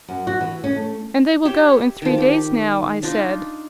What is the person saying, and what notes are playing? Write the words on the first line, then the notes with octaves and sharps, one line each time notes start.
"And they will go in three days now?" I said.
F#2
F#4
E3
C#4
A3
G4 C#5 E5
D#3 F3
G4
D4 D#4 F4